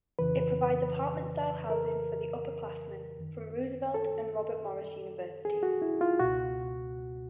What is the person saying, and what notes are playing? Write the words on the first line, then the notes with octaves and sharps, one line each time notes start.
It provides apartment-style housing for upperclassmen from Roosevelt and Robert Morris Universities.
F2 C#3 E3 B4
A#4
F#2 D#3
A4
G#4
F#4
E4
F4
C#2 B2 F#4